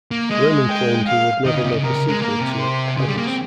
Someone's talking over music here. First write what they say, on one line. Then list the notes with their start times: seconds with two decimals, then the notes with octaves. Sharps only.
Lehmann claimed he would never make a sequel to "Heathers".
0.11 A#3
0.30 G#3 D#5
0.68 G5
1.07 F5
1.45 D#3 D#5
1.54 C#3
1.64 C3
1.74 C#3
1.84 C3 A#4
1.96 C#3
2.08 G#3
2.22 A#3 A#4
2.41 C3
2.60 C5
2.98 C#3 G#4
3.08 G3
3.17 A#3
3.26 C4